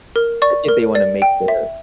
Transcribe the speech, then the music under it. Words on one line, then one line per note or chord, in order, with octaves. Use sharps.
I think they wanna make the
A#4
D5 C#6
A#4
D5
G5
E5